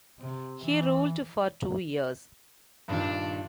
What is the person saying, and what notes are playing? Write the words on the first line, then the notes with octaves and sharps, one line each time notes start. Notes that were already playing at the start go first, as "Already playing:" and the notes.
He ruled for two years.
C3
E3
G2 A#2 D#3 D4